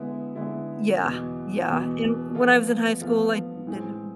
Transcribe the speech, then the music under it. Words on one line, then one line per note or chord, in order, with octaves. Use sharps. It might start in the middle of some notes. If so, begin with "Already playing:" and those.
Y yeah, yeah. And when I was in high school, I did w
Already playing: D3 G#3 B3 E4
D3 G#3 B3 E4
E2 B2 B3
E2 B2 B3
F3 B3 F4 A4
F3 B3 F4 A4
A2 E3 G#3 C4